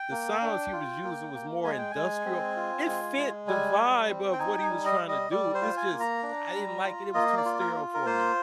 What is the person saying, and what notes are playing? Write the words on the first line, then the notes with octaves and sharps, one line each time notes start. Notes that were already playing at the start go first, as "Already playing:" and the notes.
The sounds he was using was more industrial. It fit the vibe of what he was trying to do, it's just I didn't like it, it was too sterile for me.
Already playing: G5
A#3
D4
F4
A#3
A#3
G#3 G#5
G5
G#3 G#5
C4
F4
G#3
G#3
G3 G#5
G3
C4
G5
D#4 G#5
G5
G#5
G3
D#5
G3
D#5
G3 D5
C5
F4
G#5
A#3
A#5
D4
G3
F4
A#3 D#5
D5
F4
A#4
F4
A#4
A#3 C5